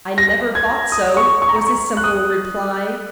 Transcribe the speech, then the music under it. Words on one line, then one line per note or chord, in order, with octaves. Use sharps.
"I never thought so," was his simply reply.
A#6
G#6
D#6
C#6
C#6
A#5
C#6
C#6
F#6
D#6